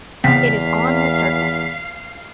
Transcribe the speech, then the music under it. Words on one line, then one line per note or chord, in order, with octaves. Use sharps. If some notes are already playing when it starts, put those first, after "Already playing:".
It is on the surface.
E2 C#3 B3 C4 F5 B6